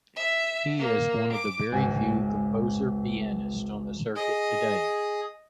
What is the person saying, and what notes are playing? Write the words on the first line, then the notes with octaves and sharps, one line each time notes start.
He is one of the very few composer-pianists on the circuit today.
E5
A#3
D6
G#1 C#2 F#4 G#5
G#4 D#5